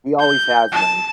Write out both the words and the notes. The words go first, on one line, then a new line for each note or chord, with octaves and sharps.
He always has been.
G6
A5